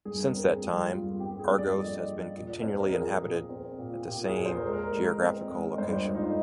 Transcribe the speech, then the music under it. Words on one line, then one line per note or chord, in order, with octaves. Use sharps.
Since that time, Argos has been continually inhabited at the same geographical location.
G2 G#4
A#4
C4
G#4
G2 G4
F4
G2
F4
C4 G4
G#4
G2
D5
F3 D#5
F3
A#2 D#5
D5
C4 C5
A#4
F3 G#4
A#2
C4
A#2
A#2 G4
G#4
A#2
C5
A#4
G#3 G#4
A#4
G#3
C4
G#3
G2 C5
C5
G#3 F4
D#4
F4